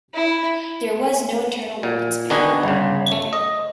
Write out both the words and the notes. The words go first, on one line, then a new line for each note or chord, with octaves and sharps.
There was no internal weapons bay.
E4
A#2
D3 D#3 B3 D4 F#4 G#4
G1 C#3
A3
D#5